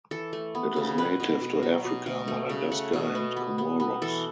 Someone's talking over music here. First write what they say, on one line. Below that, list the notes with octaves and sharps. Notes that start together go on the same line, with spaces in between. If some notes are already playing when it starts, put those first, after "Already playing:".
It is native to Africa, Madagascar, and Comoros.
E3 A4
A3
B3
C#3
B2 B4
B2
B2
F#3
B2
B2
A3
C#3
A3 F#5
B2
B3
B3
B3
B3
E3 A4